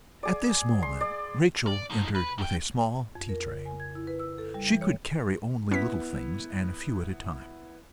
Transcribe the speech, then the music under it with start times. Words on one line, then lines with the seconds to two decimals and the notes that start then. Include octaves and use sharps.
At this moment, Rachel entered with a small tea-tray: she could carry only little things, and a few at a time.
0.23 G#4 D5
0.82 C6
1.01 D5
1.67 D5
1.90 F3 D#4
2.15 B4 B5
2.38 F#2 G5
3.15 F2
3.29 A#4
3.47 C#3
3.65 G#5
3.80 G#6
3.95 E4
4.07 B4
4.20 E6
4.38 A4
4.54 G3
4.69 E3
4.81 C#5
5.71 B3 C#4 E4 B6